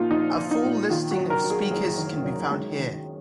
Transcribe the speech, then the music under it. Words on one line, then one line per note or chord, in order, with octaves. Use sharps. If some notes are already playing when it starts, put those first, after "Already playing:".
A full listing of speakers can be found here.
Already playing: A#2 F3 A#3 D#4 F4
A#1 D#4
F3
D#4
A#2
D#3 F4
F#4
F#2
A#4
F#3
G#4
F#1 G#4
D#3
F#2
G#3
D#3